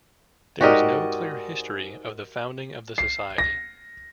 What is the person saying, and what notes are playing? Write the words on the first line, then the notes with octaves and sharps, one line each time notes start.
There is no clear history of the founding of the society.
G#2 F#4 G4 A#4 D5 D#5
C7
A#6